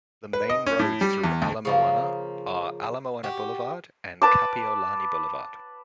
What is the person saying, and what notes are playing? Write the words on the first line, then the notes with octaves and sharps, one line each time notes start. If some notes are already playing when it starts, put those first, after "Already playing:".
The main roads through Ala Moana are Ala Moana Boulevard and Kapiolani Boulevard.
B4
D#5
C#4
A2
G3
E2
D2
C#3 F3 A#3
F#4 G4
B4 A5 D6